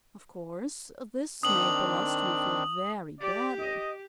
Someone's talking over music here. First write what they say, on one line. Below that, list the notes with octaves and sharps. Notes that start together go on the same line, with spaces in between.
Of course this made Belostoma feel very badly.
D#3 C4 D4 D#6 F#7
G4 D5
D#5